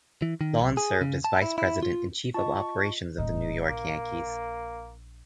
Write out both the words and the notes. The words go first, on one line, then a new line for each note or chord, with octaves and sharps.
Lawn served as vice-president and chief of operations of the New York Yankees.
E3
D#3
B1
G#4
C#3
A5
E4
E4
F4
F4 D#5 A5 C#6
D#1 A2 D#4
A#1 A#3